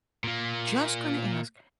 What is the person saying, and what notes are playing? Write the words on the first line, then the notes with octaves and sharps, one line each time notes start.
Just gonna ask.
A#2 A#3